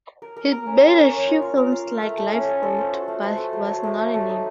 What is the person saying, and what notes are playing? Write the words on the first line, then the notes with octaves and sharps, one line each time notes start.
He'd made a few films, like "Lifeboat", but he was not a name.
A#4
A#4
A#4
C#4
A#3
A#4
C#5
F4
F4
A#4
F5
F5
A3
A3
C#4
A4
A4
C5
F#4
A3
C5
A3
F#3
F#3
A3
A3
A3
D#4